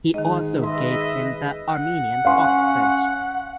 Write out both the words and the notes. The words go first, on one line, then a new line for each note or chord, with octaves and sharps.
He also gave him the Armenian hostage.
G#2 D#3 G#4 D#5
B4 D#5 E5 C6
F#5
C#4 F5 C6